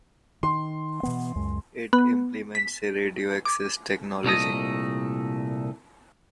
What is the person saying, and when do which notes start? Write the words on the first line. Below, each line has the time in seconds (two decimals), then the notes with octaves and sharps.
It implements a radio access technology.
0.43 D#3 C6
1.03 B2 E3 B3
1.35 C#2 F#2 G#3
1.93 B3
2.55 B6
3.45 D6
4.24 C2 A#2 A3 D#5